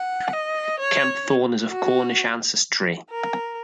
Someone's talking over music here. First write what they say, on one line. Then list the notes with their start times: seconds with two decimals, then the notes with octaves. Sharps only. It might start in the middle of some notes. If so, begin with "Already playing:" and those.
Kempthorne is of Cornish ancestry.
Already playing: F#5
0.33 D#5
0.79 C#5
1.71 F#4
3.10 A#4